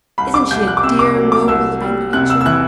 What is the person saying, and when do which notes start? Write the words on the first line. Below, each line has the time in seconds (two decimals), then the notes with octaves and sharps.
"Isn't she a dear, noble-looking creature?"
0.18 C2 B5
0.34 D6
0.51 C2 G6
0.68 F#6
0.77 D6
0.83 C3 E6
0.99 D6
1.16 F#3
1.32 D6
1.48 C2 E6
1.81 G3
2.13 C3 F#6
2.30 E6
2.41 E6
2.46 E3 F#6